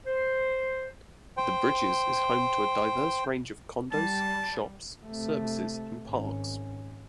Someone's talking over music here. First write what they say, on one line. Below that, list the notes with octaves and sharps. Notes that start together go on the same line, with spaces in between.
The Bridges is home to a diverse range of condos, shops, services, and parks.
C5
C5 G5
G3 A5
C3 A3
G#1 C#4